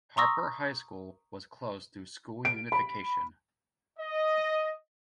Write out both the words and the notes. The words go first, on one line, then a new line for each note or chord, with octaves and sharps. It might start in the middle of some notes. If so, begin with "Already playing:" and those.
Harper High School was closed through school unification.
A#5 C6 C#6 D#6 E6 A#6
D7
B5
D#5